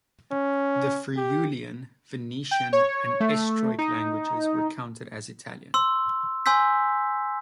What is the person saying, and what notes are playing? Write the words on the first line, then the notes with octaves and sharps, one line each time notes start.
The Friulian, Venetian and Istriot languages were counted as Italian.
C#4
G4
G5
C#5
A3
D#4
C6 E6
G#5 C6 E6 G6 B6